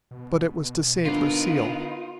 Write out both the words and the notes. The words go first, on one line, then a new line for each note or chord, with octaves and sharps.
But it was to save Lucille.
B2
D3 B3 D4 D#4 F4 A#4 B4